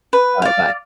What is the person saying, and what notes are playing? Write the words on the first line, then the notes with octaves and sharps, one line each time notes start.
Alright, bye.
B4
D5 F5